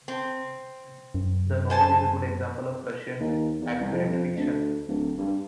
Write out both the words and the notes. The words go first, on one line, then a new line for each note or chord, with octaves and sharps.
The novel is a good example of Russian accurate fiction.
C4
F#2
C5 G#5 A5
D#2
E2
C2
F2
F2
D2
D1
G2